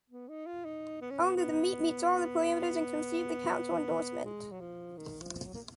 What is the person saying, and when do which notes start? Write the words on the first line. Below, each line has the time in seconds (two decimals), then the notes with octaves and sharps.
Only the meat meets all the parameters and can receive the Council endorsement.
0.10 B3
0.28 D#4
0.47 F4
0.65 D#4
1.01 B3
1.11 C#4
1.20 B3
1.36 B3
4.25 G#3
4.52 F#3
4.61 F3
4.97 D#3
5.21 F3
5.45 F#3
5.54 A#3